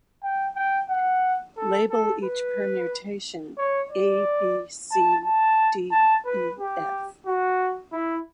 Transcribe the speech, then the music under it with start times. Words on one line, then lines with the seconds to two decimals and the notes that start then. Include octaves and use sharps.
Label each permutation "A B C D E F".
0.23 G5
0.56 G5
0.89 F#5
1.57 A4
1.90 A4
2.24 B4
3.58 C#5
3.90 D5
4.91 A5
5.25 A5
5.91 A5
6.25 B4
6.59 G4
7.26 F#4
7.92 E4